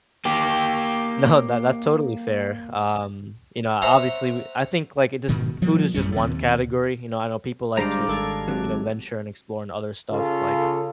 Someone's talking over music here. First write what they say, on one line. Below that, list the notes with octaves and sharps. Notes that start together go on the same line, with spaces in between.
No, that that's totally fair. Um, you know, obviously, w I think, like, it just food is just one category. You know, I know people like to, you know, venture and explore in other stuff. Like,
A#3 G4
C5 C#5 E5 F#5 A#5 C6
G#2 B2 D#3
F3 G3 A#3
A1 F#2 G3 C#4
D#2 C3
G1 G3 G#3 D4 C5 D5 F5 A#5
G#1 A4 G#6
G#2 C3 F#3
C#3 F4 A4